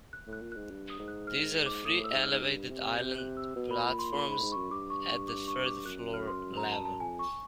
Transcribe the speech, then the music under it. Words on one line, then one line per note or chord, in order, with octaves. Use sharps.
These are three elevated island platforms at the third-floor level.
F#6
A2
F#6
A#2
G#2 F#6
G2
D#6
G#2
F#6
F6
D6
A2 D#6
E6
G#2
F6
G#2
G2
C3
C3 G6
F#6
E6
B2
B5
A#2 B5
C6
A#2 B5
G#2 B5
A2
G#2
F#2 C#6
G2 D6
C#6
C#6
D6
C#6
D6
F#2 F#6
F6
C6
A#5
A5
A5
F2 G#5
C#6